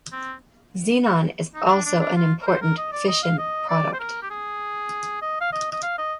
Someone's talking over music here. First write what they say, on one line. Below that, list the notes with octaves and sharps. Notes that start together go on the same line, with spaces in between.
Xe is also an important fission product.
C4
D#4
C4
D4
D4
D4
F4
A#4
C5
A#4
D#5
D5
D#5
F5
D#5
D5
C5
A#4
G4
G#4
D#5
F5
D#5
D#5
F5
D#5